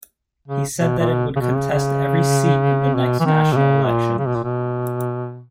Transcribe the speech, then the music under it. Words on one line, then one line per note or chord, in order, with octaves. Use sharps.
He said that it would contest every seat in the next national elections.
C#3
B2
A#2
B2
C#3
B2
C#3
C#3
B2
E3
D#3
B2
C#3
A#2
C#3
B2
A#2
B2